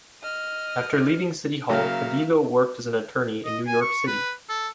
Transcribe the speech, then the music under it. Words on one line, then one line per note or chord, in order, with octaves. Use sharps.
After leaving City Hall, Badillo worked as an attorney in New York City.
D#5 F6
C#3 F#3 A#3 E5 F5
D#5
G#5
C#6
B4
A4